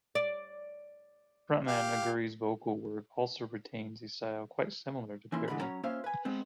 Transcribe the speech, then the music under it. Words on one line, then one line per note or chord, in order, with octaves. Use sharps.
Frontman Augeri's vocal work also retains a style quite similar to Perry.
D5
G4 F5
E3 A#3 C#4 E4 C6
E2 G#2 D3 E3 G#3 B5
F#3 C#4 C#5 F#5 A#5 B5
A#3 C#4 F4 C5 E5 F5
B4 G#5
G#3 B3 C4